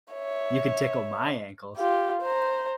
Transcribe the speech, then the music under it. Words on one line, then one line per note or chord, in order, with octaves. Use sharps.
You can tickle my ankles.
C#5 E5
F4 G4
C5 A#5